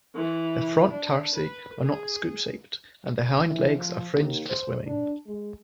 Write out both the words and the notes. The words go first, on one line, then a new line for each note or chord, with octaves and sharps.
Their front tarsi are not scoop-shaped and their hind legs are fringed for swimming.
E3
D4
B4
G#4
E3
F3
D#2
C5
D4
G#3